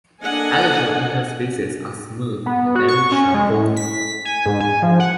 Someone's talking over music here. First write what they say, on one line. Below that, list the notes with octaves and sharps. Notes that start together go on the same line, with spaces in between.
Elytral interspaces are smooth and very shiny.
A#3 D4 A4 D#5 F#5 G#5
B3
F#4
C#6
C#4
G#3
A2
B6
G#5
G#2
G#5
F3
F#5